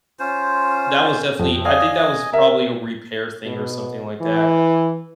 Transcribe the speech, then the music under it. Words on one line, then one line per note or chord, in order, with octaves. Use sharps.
that was definitely I think that was probably a repair thing or something like that
C#4 F4 C5
F2
D5 D#5 F5 G#5 D#6
A#4 E5
B2
E3